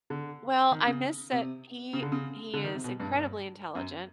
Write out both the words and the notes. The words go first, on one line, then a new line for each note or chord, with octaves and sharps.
Well, I miss that he he is incredibly intelligent
D3
D#3
C#3
C3
C#3
D3
C#3
D3
D#3
C3
B2
G2
F#2